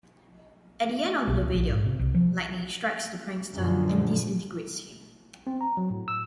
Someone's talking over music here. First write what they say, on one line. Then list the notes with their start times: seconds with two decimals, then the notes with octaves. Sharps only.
At the end of the video, lightning strikes the prankster and disintegrates him.
1.27 B1
1.41 C#2
1.54 A#1
1.70 G#2
1.86 C3
1.99 C2
2.14 F3
3.55 F#2 A#2 D3 F3
5.47 C4
5.61 A#5
5.77 F#3
5.90 A2
6.08 E6